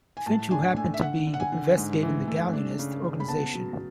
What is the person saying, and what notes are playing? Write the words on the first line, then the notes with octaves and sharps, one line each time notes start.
Finch, who happened to be investigating the "Galleanist" organization.
G#5
A2 A5
D4 G#5
A3 G#5
E5
D3 F#5
D3
F#5
G#5
D3
G#2
E3
A3
D4
C#3
C#3
B5
B3 A5
F#3